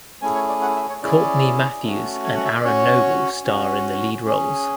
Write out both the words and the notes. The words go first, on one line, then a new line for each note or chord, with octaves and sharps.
Courtney Mathews and Aaron Noble star in the lead roles.
A3 C#4 E4 G#4 G#5
C#5
D5
F#5
E5
C#5
C#4 E4 G#4 D5
A3 C#4 F#4
G#5
F#5
E5
D5
C#4 F#4 C#5
C#4 F#4
C#4 G#4